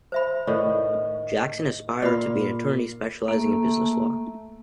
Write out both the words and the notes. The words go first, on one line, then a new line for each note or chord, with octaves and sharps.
Jackson aspired to be an attorney specializing in business law.
C5 E5 B5
A2 D#3 D5
A#2 D5 F5 B5
A3 A#3